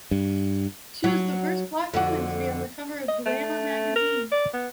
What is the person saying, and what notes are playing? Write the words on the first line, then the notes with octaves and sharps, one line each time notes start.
She was the first black woman to be on the cover of "Glamour" magazine.
G2
F#3
F2 D3 F#4
D#5
A3
A#4
D5
B3